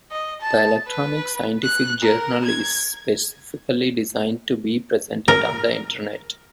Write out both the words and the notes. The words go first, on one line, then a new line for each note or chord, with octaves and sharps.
The electronic scientific journal is specifically designed to be presented on the internet.
D#5
A5
B4
F#6
A#4
G#6
A#4